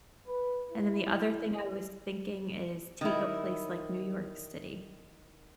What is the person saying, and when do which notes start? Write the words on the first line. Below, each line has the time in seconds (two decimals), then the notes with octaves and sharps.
And then the other thing I was thinking is, take a place like New York City-
0.27 B4
0.72 E4
3.01 D#3 E4